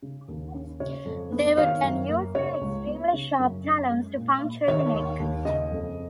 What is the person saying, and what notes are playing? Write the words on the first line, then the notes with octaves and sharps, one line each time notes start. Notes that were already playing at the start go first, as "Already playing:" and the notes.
They would then use their extremely sharp talons to puncture the neck.
C#3
D#2
C#4
C#3 C#5
F2
B3
D#3 C#5 F5
F#2
A#3
C#3 C#5
C#2
B3
C#3
F#2
C#4
G#3
A#2
A#2
D#3 C#5
D#2
D#2
C#3 D#5
F2